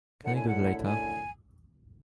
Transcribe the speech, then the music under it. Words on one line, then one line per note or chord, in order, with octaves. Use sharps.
Can we do it later?
F#2 D3 A3 E4 F#5
G#5
F#5
G#5